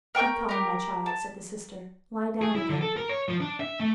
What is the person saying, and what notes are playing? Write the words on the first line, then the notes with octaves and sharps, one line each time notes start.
"Be calm, my child," said the sister; "lie down again."
A#4 G5 C#6 G6
G4 A#4
A5
G#4
E4
D3
A4
A#4
C#5
F3
D4
E5
A3